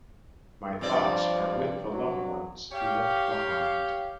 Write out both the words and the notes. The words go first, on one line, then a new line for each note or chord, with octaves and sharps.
My thoughts are with the loved ones he left behind.
G2 F3 C4 D5
F#3
G4 C#5 F5